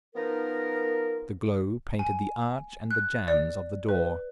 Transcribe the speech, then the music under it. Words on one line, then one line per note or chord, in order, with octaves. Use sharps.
The glow painted the arch and the jambs of the door.
F3 B3 D#4 A#4
G#5
F#6
D5
B4